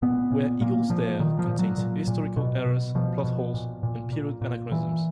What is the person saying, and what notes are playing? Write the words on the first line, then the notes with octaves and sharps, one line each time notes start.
"Where Eagles Dare" contains historical errors, plot holes, and period anachronisms.
A#2 B3
A#2
A#2 A#3
A#2 F3
A#2 D#3
F3
A#2
F#3
A#2
A#2
B2
B2
B2 F3
B2
A#2
A#2
A#2
A#2
A#2 E3